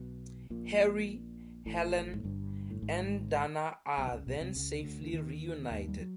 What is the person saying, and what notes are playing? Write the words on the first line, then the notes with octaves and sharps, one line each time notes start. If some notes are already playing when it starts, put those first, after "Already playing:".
Harry, Helen, and Dana are then safely reunited.
Already playing: B1 B2
A#1 A#2
A1 A2
G#2
G1 G2
A2
G#1 G#2
B1 B2
D3
C#2 C#3
B1 B2
C2 C3
C#2 C#3
D2 D3
D3
D#2 D#3
D#2 D#3
G3
F#3